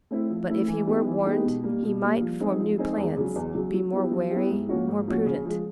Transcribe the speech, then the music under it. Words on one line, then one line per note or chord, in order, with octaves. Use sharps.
But if he were warned, he might form new plans, be more wary, more prudent.
A3 C4 E4
F3
A3 C4 E4
E3
G#3 B3 D#4 G4
E3
G#3 B3 D#4 G4
B2
G3 A#3
B2
G3 A#3
F3
G#3 C4 D#4 G#4
F3
G#3 C4 D#4 G#4
E2
C#3 F#3
E2
C#3 F#3
F#3
B3 E4 G4
F#3
B3 E4 G4
G#2
F3 A#3 C#4 F#4
G#2
F3 A#3 C#4 F#4
C#3
F3 G#3